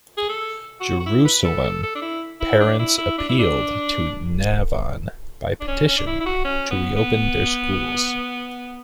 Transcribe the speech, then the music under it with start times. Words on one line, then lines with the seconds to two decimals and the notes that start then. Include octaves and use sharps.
Jerusalem parents appealed to Navon by petition, to reopen their schools.
0.18 G#4
0.29 A4
0.80 F#4
1.00 F#4
1.06 E4
1.25 B4
1.44 A4
1.63 A4
1.83 A4
1.95 D4
2.02 E4
2.41 E4
2.60 D4
2.79 E4
2.98 E4
3.18 D4
3.29 E4
3.39 D4
5.60 D4
5.68 C#4
5.87 C#4
5.98 D4
6.06 E4
6.20 E4
6.26 F#4
6.44 C#4
6.70 B3
6.96 B3